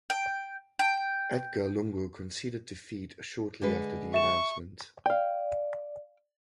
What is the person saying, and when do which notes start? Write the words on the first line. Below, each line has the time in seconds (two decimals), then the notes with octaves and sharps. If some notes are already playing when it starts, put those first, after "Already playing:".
Edgar Lungu conceded defeat shortly after the announcement.
0.10 G5
0.79 G5
3.62 D3 G#3 B4
4.14 E5 C#6 E7
5.06 D5 F5 G5